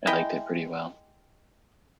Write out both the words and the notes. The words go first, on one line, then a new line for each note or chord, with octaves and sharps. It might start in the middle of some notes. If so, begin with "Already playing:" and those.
I liked it pretty well.
G#3 E4 D#5 G5